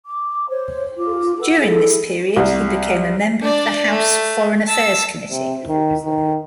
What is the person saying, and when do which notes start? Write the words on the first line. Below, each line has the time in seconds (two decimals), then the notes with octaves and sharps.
During this period, he became a member of the House Foreign Affairs Committee.
0.05 D6
0.49 C5 C#5
0.98 F4 D6
1.41 B4 F#5 E6
1.59 E4 G#4 A4
2.36 C2
3.42 D4 D5
3.88 A3
4.67 A5 E6
5.31 C3
5.67 D#3
6.05 D#3